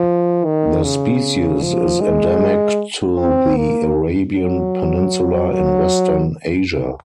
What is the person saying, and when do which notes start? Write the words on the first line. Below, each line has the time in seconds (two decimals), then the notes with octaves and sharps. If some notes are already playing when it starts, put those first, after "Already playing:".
The species is endemic to the Arabian Peninsula in Western Asia.
Already playing: F3
0.45 D#3
0.84 C#3
1.63 F3
2.01 G#3
3.18 C4
3.57 A#3
4.35 F#3
5.53 F#3